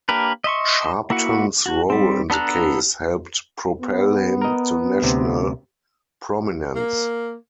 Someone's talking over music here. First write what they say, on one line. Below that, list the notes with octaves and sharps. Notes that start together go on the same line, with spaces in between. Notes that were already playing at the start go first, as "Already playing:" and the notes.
Sharpton's role in the case helped propel him to national prominence.
A#3 D4 G4 A#4 B4
D#5 E5 C6 C#6
A#3 E4 F#4 F#5
F#4
G3 C4
B3 D4 A4 A#5 F#6
B3
A#4 D#5
D2 C3
A#3